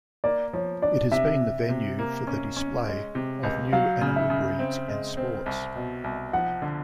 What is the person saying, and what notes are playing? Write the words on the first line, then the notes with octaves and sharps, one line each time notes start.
It has been the venue for the display of new animal breeds and sports.
A#3 D5
F3 C#5
D4 D5
C3 E5
C3
C3
A#3
C#4
C#4
G#3
C3
C#2
F#3 F5
C#3
E5
C#3
C4
G#3
C4
C2
B2
C2
F3 F#5
D3